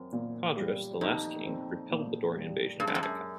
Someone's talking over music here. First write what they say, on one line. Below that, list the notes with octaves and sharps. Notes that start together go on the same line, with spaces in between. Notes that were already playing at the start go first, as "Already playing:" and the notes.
Codrus, the last king, repelled the Dorian Invasion of Attica.
Already playing: F#2 C4
A#2
G3
F2 D#4
C4
A#2
G3
G2 G#3
F#2
F2
F#2